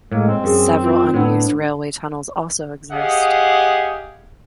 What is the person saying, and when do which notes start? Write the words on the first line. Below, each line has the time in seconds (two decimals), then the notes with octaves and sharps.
Several unused railway tunnels also exist.
0.12 A2 G#3 A#3
0.27 C4
0.44 F#2 G#4
0.81 F4
1.14 A2 B3 D4
2.92 G4 G#4 D#5 F5 F#5